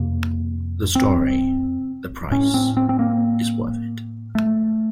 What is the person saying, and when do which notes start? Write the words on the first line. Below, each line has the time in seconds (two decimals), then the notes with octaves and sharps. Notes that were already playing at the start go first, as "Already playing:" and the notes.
The story ""...the price is worth it.
Already playing: F2 C3 A#3
0.95 C4
2.31 A2 C#4
2.54 C4
2.77 C4
2.89 C4
2.99 A#3
4.35 A3